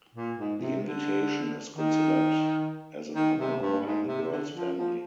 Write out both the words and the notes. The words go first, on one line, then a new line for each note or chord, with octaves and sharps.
The invitation is considered as an honor by the girl's family.
A#2
G#2
C3
D3
D#3
D#3
C3
G2
G#2
C3
C3
D3
F3
F3